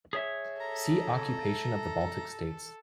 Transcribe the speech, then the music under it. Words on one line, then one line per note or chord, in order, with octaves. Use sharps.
See Occupation of the Baltic states.
G#4 C#5 E5
A4 A#5